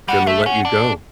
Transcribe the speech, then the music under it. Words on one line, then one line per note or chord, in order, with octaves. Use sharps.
gonna let you go,
G3 F#5
A3 E5
C#4 F#5
D4